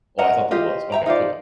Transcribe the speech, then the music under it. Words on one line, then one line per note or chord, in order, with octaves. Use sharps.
Oh, I thought there was. Okay. Cool,
A#4 D#5 F#5 A#5
F4 G4 D#5
E5 G5 A#5
D#4 F4 C5 D5